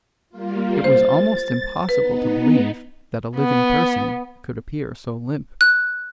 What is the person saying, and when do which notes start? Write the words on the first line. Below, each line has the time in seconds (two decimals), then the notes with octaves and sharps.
It was almost impossible to believe that a living person could appear so limp.
0.29 G3 A#3 F4
0.84 C5 A6
1.89 B3 D#4 B4
3.37 B3
5.61 F#6